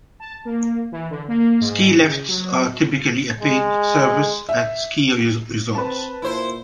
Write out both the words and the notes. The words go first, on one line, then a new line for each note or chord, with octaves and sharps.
Ski lifts are typically a paid service at ski resorts.
A5
A#3
E3
D3
A#3
G#2
C#3
F#3
G#3
E5
C4 B4 A5
A#2 E4 C5